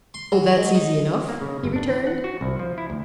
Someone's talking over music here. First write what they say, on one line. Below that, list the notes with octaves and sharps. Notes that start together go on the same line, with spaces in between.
"Oh! that's easy enough," he returned.
C6
F#3
G#3
D#4
A#3
C#3
G1
D4
E3
F#5
F#4
C2
F3
E4
D2